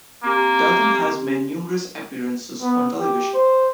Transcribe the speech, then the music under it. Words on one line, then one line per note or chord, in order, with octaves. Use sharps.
Dalton has made numerous appearances on television.
A#3 C4 G4 G#5
B3
G4
C5